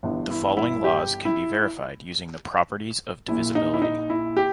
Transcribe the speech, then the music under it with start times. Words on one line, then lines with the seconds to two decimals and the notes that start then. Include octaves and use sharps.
The following laws can be verified using the properties of divisibility.
0.03 G1 G2 E3
0.31 E4
0.57 E4
0.84 G4
1.25 E4
3.28 A#1 A#2 E4
3.55 D#4
3.74 E4
3.82 D#4
4.10 E4
4.37 G4